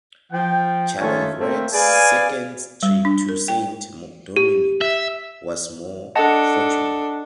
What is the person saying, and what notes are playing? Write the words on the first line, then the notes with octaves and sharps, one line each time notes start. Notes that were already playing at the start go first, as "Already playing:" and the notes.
Charlevoix's second trip to Saint-Domingue was more fortunate.
F3 G5
D#3 A3 C#4 D#4 F4 A5
A3 A#3 C4
G#4 B4 D5 F5 G#5
G3
D4
A#4
G5
G4
E5
D4 A4 D#5 F#5 A5